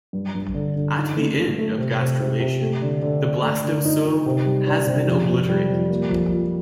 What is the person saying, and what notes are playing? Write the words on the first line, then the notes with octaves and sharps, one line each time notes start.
At the end of gastrulation, the blastocoel has been obliterated.
G2
G2
D3
D3
D#4
A3
A3
A3
C3
C3
C3
C3
A3
D3
D3
D4
A3
D3
D#4
D#4
C3
G3
D4
C3
F2
C3
G3
F2
A#3
F2
F3